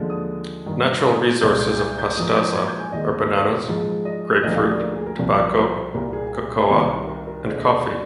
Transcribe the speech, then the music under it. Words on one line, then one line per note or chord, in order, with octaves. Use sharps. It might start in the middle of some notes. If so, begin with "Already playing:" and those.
Natural resources of Pastaza are bananas, grapefruit, tobacco, cocoa and coffee.
Already playing: D#2 D3 F3 G#3
D#6
G2 D#3 A#3
D#6
C2 A#2 G#3 G6
G6
G6
G6
G#2 F3 A#3 D#6
G6
G#6
G6
G#5
D#2 D#3 G#3 D#5
G#2 F3 G#3
D#5
D2 D3 F3 A#3 D#5
F5
D5
A#4
G#4
A#4
C2 C3 F3 A#4
A#4
C5
C5
C2 A#2 G3 A#3 A#4
G#4
C2 C3 D#3
A#4
A#4
D#2 D3 G#3 C5
D#5
D5
D5